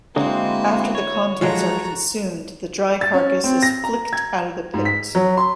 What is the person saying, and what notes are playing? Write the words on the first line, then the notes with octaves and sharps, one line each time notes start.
After the contents are consumed, the dry carcass is flicked out of the pit.
D3 G#3 A#3 C4 E4 F#4
C#5
F3 F#3 G#3 F#4 A4 A#5
A6
C#4
C4
A#6
A#5
G#6
G#2
B6
F#3
C6